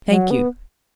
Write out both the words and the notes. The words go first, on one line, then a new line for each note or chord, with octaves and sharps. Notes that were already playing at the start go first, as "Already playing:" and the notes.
Thank you.
F#3
B3